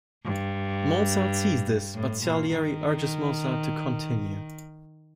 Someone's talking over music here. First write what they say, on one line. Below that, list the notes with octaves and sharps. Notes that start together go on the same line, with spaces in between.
Mozart sees this, but Salieri urges Mozart to continue.
G2
A2
A#2
D#3